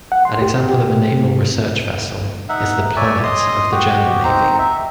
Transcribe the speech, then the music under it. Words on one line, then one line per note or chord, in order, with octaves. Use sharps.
An example of a naval research vessel is the "Planet" of the German Navy.
F#5
C6
G4
G4
C3
D#4 E5 F#5
C#5 D5 E5 G#5
D#5 C6 D#6
F#4 G4
C4 D#4 C5 A#5
E5